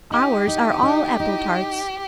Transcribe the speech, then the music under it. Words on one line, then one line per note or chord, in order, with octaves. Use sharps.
Ours are all apple-tarts.
D#4 G4
D#4
D#4
D#4